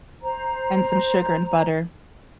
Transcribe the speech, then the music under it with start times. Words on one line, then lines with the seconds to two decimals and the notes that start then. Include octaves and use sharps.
and some sugar and butter,
0.23 C5 A#5